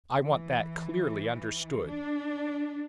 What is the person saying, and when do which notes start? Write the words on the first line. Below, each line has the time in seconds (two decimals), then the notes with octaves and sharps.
I want that clearly understood.
0.23 E3
1.88 D4